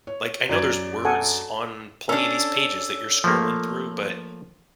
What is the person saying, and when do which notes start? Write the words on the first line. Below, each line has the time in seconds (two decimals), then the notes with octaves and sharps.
like, I know there's words on plenty of these pages that you're scrolling through, but
0.07 C#5
0.49 F#2 D5 G#6
1.05 A4 F#5 G#5
2.09 C#4 D4 A4
3.24 F3 A3 A#3